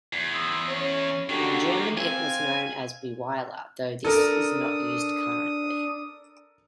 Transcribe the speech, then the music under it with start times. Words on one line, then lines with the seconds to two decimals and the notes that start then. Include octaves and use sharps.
In German it was known as "Bewiler" though this is not used currently.
0.13 E2
0.35 C6 D#6 E6
0.68 C#4
1.30 D3 D#3 A#3 F#4 G4
1.98 C4 F5 G#5
4.05 D4 A4 A#4 D#6